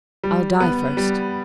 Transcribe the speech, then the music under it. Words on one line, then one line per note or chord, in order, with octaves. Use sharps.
"I'll die first."
G3
B3
G3